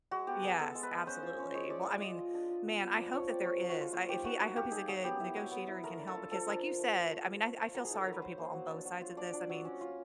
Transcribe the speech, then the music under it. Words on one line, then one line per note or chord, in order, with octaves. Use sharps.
Yes. Absolutely. Well, I mean, man, I hope that there is. I if he I hope he's a good negotiator and can help because like you said, I mean, I I feel sorry for people on both sides of this. I mean,
G#3 F#4
B3 G4
B3 G#4
B3 A4
G#3
B4
G#3
C#4 C5
F4
C#4
G#3 C#5
G#3 D5
F4 D5
F4 D#5
F4
D4
F4
B3
B3
F3 D5
F3 C#5
C4 D5
G#3 C#5
F3
F#4
G#3 F4
A#3 F4
D#4 G4
D#4 F#4
D#4 F#4
A#3 G4
D#4 G#4
F#3 G#4
B3 G4
E4
F#3
B3
E4
A3 A#4
D4
A4
F4
F3 A4
D4 A#4
F4
A3
D4
A3
F4
A3
F4
F#3 A#4
G#4
D#4 A4
F#3 A#4
B4
F#3 C5
A#3
F#3
D4
F#3
F4
D4 D5
D4
F#3
C#4
F4